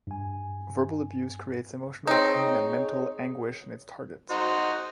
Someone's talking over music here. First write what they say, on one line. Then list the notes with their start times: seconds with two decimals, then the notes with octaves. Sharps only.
Verbal abuse creates emotional pain and mental anguish in its target.
0.07 G2 G#5
2.07 C4 D#4 G#4 C#5
4.31 D#4 F#4 C5